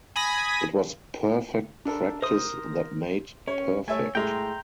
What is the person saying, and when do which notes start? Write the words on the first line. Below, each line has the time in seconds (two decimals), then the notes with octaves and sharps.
It was perfect practice that made perfect.
0.16 G#5 B5 D#6 A#6
1.85 D4 A4 A#4
2.22 A#4 C5 D#6
3.48 C#4 C#5
3.88 A3 C#5 E5 G#5
4.15 A2 G#3 G5 A#5 C6